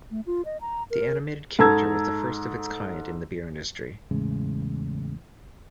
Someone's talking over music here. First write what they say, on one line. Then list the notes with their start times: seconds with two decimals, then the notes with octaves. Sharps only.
The animated character was the first of its kind in the beer industry.
0.11 A3
0.27 F4
0.45 D#5
0.61 A#5
0.91 A#4
1.59 G#2 A4 A5 A#5 E6 G#6
4.11 E2 A2 C#3 G#3